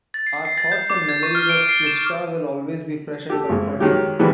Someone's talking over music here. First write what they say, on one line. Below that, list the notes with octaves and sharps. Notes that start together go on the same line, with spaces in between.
Our thoughts and memories of Christa will always be fresh and comforting.
A6
C7
C7
A6
G6
D6
G#6
C#6
F6
D7
C7
E7
G4 A4
G#1 G#3
D#3 F#3 G#3 G4
C3 D#3 E3 G3 G#3 B3